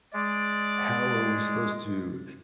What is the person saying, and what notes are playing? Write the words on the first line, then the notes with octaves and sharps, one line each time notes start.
how are we supposed to
G#3 D5